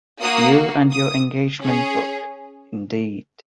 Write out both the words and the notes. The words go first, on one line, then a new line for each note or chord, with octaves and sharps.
You and your engagement book, indeed.
A#3 F#4 D#6
D#6
C#4 G#4